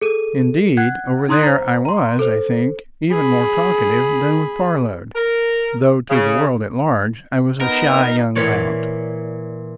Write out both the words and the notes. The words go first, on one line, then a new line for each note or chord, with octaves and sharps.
Indeed, over there I was, I think, even more talkative than with Parload, though to the world at large I was a shy young lout.
G#4 A4 D#7
F#5 F#6 G#6
D#4 A#5 C6 D#6 F#6 G#6
C5 A#5
A#5 C6
A4 C5
G#4 B5
A#4
C#3
B3 D#4 A#4
A#2 E3 C#5 D5